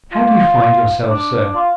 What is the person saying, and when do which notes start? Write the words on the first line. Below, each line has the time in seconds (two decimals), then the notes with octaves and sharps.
How do you find yourself, sir?'
0.13 F4
1.08 D4
1.55 F4